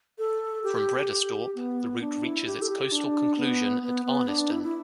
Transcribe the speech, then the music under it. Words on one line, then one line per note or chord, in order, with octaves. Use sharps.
From Bredasdorp, the route reaches its coastal conclusion at Arniston.
A4
G4
G4
B3
D4
E4
G4
A4
G4
D4
B3
B3
B3
D4
E4
E4